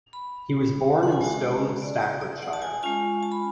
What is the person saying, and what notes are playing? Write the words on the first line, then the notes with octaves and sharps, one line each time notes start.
He was born in Stone, Staffordshire.
B5
F#5
G#5
G#3 D4 F#4 A5
D5
D5
D5
F#5
A5
G#5
G#3 C#4 F4 G#5
A5
B5